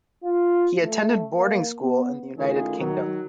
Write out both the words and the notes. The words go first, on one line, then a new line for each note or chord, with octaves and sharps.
He attended boarding school in the United Kingdom.
F4
A3
A#3
B3
D#3 A3 C#4 E4 F4 G#4
D#3 F#3